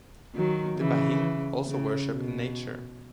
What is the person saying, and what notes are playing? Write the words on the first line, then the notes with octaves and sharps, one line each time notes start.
The Bahing also worship in Nature.
D#3 F#3
C#3 E3
C#3
B2